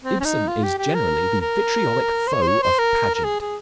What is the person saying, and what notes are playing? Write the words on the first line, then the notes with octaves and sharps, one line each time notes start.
Ibsen is generally the vitriolic foe of pageant.
C4
C#4
D#4
F4
G4
G4
A#4
A#4
C5
C#5
C5
C#5
C5
A#4
A#4
G#4
G#4